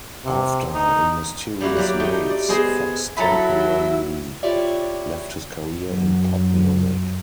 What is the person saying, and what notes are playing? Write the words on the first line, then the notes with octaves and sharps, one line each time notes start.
After "In Mysterious Ways", Foxx temporarily left his career in pop music.
C3
D#4
G3 A#3 E4 F#4
F#3 G4 D5
A3 D#4 G5
D5
B3 G#4 C5 D#5
F#3 E4 A4 A#5 B5
E4 F4 G4 C#5 D5 E5
F#2 F#3